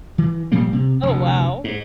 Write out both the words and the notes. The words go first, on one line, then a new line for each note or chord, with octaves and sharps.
Oh, wow.
E3
A#2 F3 G3 A#3
C3
F1 D2
G#2